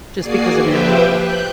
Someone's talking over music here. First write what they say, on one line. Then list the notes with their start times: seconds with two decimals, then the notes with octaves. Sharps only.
just because of knowing
0.17 A#3 F#4 G#4 D5 G#5 C7
0.55 F3 G4 B4 C5 E5 G5
1.11 F#6 G6